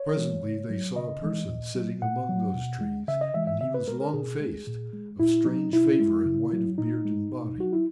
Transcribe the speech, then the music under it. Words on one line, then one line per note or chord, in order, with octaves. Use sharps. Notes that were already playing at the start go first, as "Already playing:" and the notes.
Presently, they saw a person sitting among those trees and he was long-faced, of strange favour and white of beard and body.
Already playing: C#5
E3 G#3
C#3
F#3
C#3 D#5
E3 G#3
A#2
F#3
A#2 F#5
F#3
B2
G#3
C#3 E5
D#5
E3 G#3 E5
E5
C#3 E5
B4
G#3 A#4
A#4
B2 G#4
G#3
A#2
G#3
A#2 E4
F#3 D#4
B2 E4
G#3
C#3
F#3
A#2 D#4
G#3
B2
F#3 F#4
E4